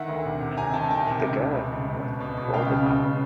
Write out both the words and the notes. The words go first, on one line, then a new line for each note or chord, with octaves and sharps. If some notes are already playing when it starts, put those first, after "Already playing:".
The gang was rounded up.
Already playing: D#3 E5 F#5
D2
C3
C3
C3 G#5 A#5
D#3 G5 A5
D#3 G5 A5
C3
C#2
B2
C#2
C#2
C#2
B2
B2
B2
C#2 F5 G5
C#3
C#2
C#3